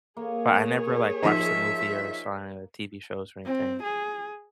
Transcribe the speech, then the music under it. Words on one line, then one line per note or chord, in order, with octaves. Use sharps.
but I never, like, watched the movie or saw any of the TV shows or anything.
A#3 G#4 C#5
F3 D#4 E5
C4
G#4